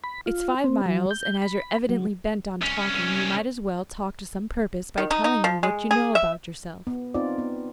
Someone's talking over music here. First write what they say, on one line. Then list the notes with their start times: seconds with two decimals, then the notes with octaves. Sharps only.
"It's five miles; and as you're evidently bent on talking you might as well talk to some purpose by telling me what you know about yourself."
0.04 B5
0.26 F4
0.64 C4
0.86 F#3
1.11 G6
1.42 B5
1.89 F#3
2.61 C2 C#4
4.98 D#3
5.11 D#4
5.24 D#4
5.44 F3
5.63 G#3
5.91 G#4
6.15 E5
6.87 B3
7.14 C4 D#4 F4 D5
7.38 B3